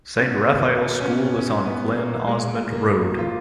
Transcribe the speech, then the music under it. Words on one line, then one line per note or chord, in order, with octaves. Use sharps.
Saint Raphael's School is on Glen Osmond Road.
C#4
B3
A#3
A#3
C#4
B3
C#4
B3
A#3
G#3
A#3
F4